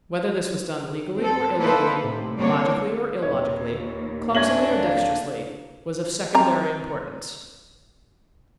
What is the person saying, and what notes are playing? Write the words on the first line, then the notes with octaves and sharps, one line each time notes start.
Whether this was done legally or illegally, logically or illogically, clumsily or dexterously, was of secondary importance.
C4 A4
A#3 D#4 E4 A4 B4 C5
A2 C3
D3 G3 A#3 C4 D4 C#5
D#2 A#2 B4 C#5
D4 C#5 E5 G#5 G#6 A#6 F#7
D3 A#3
C4 A#5